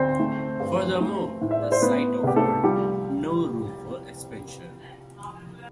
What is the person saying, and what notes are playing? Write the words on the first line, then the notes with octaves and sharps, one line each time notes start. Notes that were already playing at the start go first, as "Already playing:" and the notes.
Furthermore, the site offered no room for expansion.
Already playing: D2 C4 C5
A3
G2
A3
A2
E5
D5
C5
A3 B3 B4
C2 G4
A3 A4
F3 G3 G4